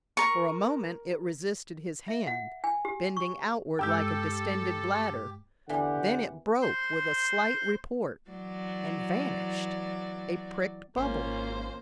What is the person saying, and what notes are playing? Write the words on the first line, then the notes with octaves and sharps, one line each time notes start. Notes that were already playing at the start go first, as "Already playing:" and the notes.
For a moment it resisted his hand, bending outward like a distended bladder, then it broke with a slight report and vanished--a pricked bubble.
A#4 C#6
E5
F#5
G#5
G4
C#6
G2 G#3 G4 A4 G5 E6 G6
E2 D3 E3 G4 F#5
C5 C6
E3 F#3 D5
G#1 A#3 C#4 F4 C5